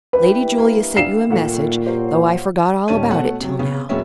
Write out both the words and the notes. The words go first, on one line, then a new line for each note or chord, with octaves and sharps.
Lady Julia sent you a message, though I forgot all about it till now.
G2 E3 G3 B4
A#3
D4 F5 C7 E7
D#2 A#2 A3 G4 F#5
F#3 F4 G4 C5 G5
D#1 G3 C#4 D#4 A5 D#7
B2 A3 C#5 F#5
C3 F#3
C#3 B3 C#4
E1 F#3 G#3 B3 C#4 E5